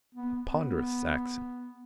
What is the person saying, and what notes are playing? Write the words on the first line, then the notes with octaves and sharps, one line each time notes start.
A ponderous Saxon.
B3
B3